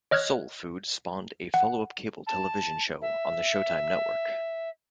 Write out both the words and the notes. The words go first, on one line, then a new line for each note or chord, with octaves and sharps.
"Soul Food" spawned a follow-up cable television show on the Showtime network.
C#5 D#5 F6 F#6 G#6
F#5
A5
E5